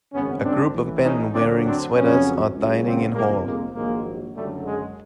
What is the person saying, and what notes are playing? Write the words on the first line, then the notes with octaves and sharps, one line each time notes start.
A group of men wearing sweaters are dining in hall.
G#1 F#2 C#3 B3 C#4
C4 D4
A1 A2 E3
C#4 D#4
D2 D3 F#3 C4 D4
C4 D4
F2 C#3 F#3 B3 C#4
C#2 C#3 F#3
A#3 C4
G1 F2 C3 G#3 A#3
G#3 A#3
A#1 G#2 D#3 F#3 G#3 A#3
F#1 F#2 D3 F#3 G3 A3
G#3